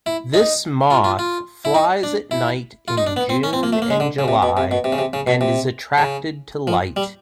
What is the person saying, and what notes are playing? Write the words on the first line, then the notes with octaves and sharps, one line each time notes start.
This moth flies at night in June and July and is attracted to light.
E4
D#4
F4
F4
F4
E4
D#4
D4
E4
F4
D#4
D4
B3
C4
C#4
C4
A#3
A3
A#3
G#3
D3
C#3
C3
B2
C3
B2
C3
C#3
C3
C#3
B2
C3
C#3
F3
G3